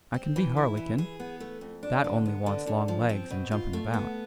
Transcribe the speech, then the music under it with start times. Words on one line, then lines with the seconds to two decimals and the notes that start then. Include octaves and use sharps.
I can be harlequin, that only wants long legs and jumping about.
0.14 C4
0.36 E3
0.57 E4
0.77 E3
0.98 G#4
1.20 B3
1.40 A3
1.61 F2
1.83 D4
2.04 D3
2.26 B3
2.46 D3
2.67 D3
2.88 F3
3.09 C4
3.30 B2
3.51 F4
3.73 A3
3.94 B3